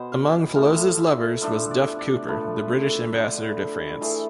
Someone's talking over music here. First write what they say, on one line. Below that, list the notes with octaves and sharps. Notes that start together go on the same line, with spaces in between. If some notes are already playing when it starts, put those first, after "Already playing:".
Among Fellowes's lovers was Duff Cooper, the British ambassador to France.
Already playing: B2 B3 C5
F5
A2 F3 A3 F5
E5
F3 A3 D4 E5
D5
D5
F3 A3 D4 B4
B4
A4
D3 F3 A3
E3 A3 E4 G#4